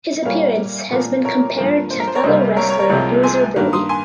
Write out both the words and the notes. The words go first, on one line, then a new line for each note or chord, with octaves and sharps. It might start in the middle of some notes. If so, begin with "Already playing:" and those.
His appearance has been compared to fellow wrestler Bruiser Brody.
A#2 G3 A#3 C#5 F5
A#2 F3 A#3
A#4 C#5
G2 F3 A#3
C5
A#4
C5
A#4 C#5
C2 C3 G3 A#3 C5 D#5
A#4 C#5
A#4 C#5
A#4 C#5
C2 C3 F3 G#3
G#5 C6
G2 D#3 A#3
C6 D#6
G#5 C6